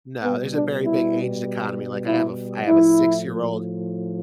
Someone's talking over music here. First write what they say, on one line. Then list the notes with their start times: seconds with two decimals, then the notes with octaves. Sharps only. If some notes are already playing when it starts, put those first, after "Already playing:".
No, there's a very big age dichotomy, like, I have a f I have a six-year-old
0.24 B2 G3 B3
0.54 D4
0.84 E4
2.05 E4
2.66 A2 F3 E4